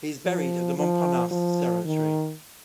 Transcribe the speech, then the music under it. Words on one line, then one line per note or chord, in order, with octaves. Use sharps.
He is buried at the Montparnasse Cemetery.
F3
F3
F3
D#3